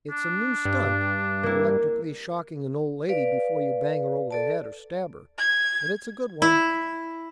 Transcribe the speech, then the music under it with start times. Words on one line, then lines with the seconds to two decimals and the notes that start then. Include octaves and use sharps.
It's a new stunt--electrically shocking an old lady before you bang her over the head or stab her, but it's a good one.
0.11 D4
0.65 G2
1.43 A#3 E4
3.09 B4 D5 F5
4.31 A4 D5 A5
5.38 G#6
6.42 E4